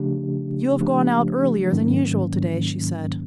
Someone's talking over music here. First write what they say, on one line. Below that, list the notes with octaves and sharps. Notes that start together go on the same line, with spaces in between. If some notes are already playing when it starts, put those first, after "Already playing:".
"You have gone out earlier than usual to-day," she said.
Already playing: C#3 F3 A3 D4 G4
C#3 F3 A3 D4 G4
G#2 D#3 F#3 A#3 C#4